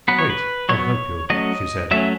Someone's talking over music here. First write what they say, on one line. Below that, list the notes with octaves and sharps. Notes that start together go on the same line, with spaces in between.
"Wait, I'll help you," she said.
F#3 B3 B4
C#5
B4
F#3 B3 C#5
F#3 A3 C#4 D#5
F#3 A3 C#4 E5